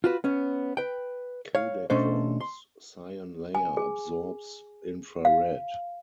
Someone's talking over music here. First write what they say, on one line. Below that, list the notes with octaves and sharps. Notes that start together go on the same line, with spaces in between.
Kodachrome's cyan layer absorbs infrared.
F4 F#4 B4
B3 C#4
B4 G5
C#5 F5
B2 A3 C#4 D4 A4 C5
C6
G#5
G#4
F5